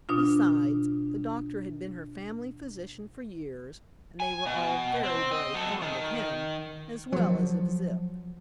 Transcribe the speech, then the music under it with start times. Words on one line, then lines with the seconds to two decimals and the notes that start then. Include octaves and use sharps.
Besides, the doctor had been her family physician for years, and they were all very, very fond of him as well as of Zip.
0.09 B2 D4 F4
4.20 G#5
4.46 B2
5.03 C4
5.32 D#5
5.54 F#3 A4
5.82 D#3
7.12 F3 F#3